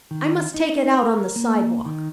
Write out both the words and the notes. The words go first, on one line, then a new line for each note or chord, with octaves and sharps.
I must take it out on the sidewalk.
D#3
D#4
A#4
A#3
D#3